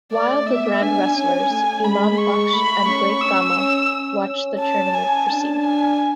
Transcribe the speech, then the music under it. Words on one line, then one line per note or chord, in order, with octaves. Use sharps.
While the Grand Wrestlers, Imam Baksh and Great Gama watched the tournament proceed.
A3 D5
B3 E5
D4 G#5
C#4
A3
G#3 B5
C#6
A3 B5
C#4 C#6
C#4 E6
C#4
A5
G#5
D4 A5
G#5